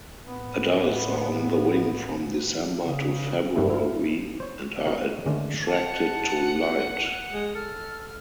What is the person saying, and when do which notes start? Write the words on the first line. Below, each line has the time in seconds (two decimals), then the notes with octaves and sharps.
Adults are on the wing from December to February and are attracted to light.
0.25 A2 B3
2.80 C#3
3.56 G2 F#3 G3 A3 B3 E4
3.70 E4 F4
4.40 C5 C#5
4.86 B3 F#4 A#4
5.26 D3 D#3 G#3 A3 C#4 D4
5.68 F#5 A5
7.33 G#3
7.55 A4 F6